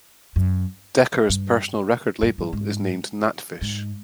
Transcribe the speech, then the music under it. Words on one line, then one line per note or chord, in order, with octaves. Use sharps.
Decker's personal record label is named GnatFish.
F#2
G2
G2
G2
G#2
G#2